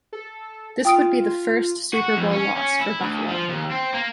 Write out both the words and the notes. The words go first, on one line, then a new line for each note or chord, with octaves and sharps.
This would be the first Super Bowl loss for Buffalo.
A4
F4 G5 D#6 D7
F#4
F2
C#4
C#4
E4
D2
F3
D#2
C4
A#3